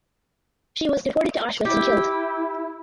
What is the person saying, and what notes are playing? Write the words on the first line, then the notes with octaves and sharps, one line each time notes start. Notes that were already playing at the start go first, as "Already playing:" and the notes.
She was deported to Auschwitz and killed.
E4 G4